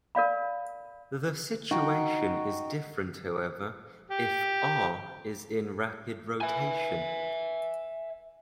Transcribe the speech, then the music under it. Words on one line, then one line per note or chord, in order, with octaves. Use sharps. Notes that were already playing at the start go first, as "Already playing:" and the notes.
The situation is different, however, if "R" is in rapid rotation.
A#4 D5 F5 B5
D#4 F#4 G5
G4
E5 G#5